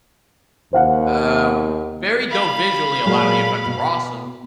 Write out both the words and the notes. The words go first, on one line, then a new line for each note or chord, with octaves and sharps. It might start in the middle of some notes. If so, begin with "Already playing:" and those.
Um, very dope visually, a lot of the effects were awesome,
D#2 C5 F5 F#5
F5 B5
A#2 F#3 G#3
B2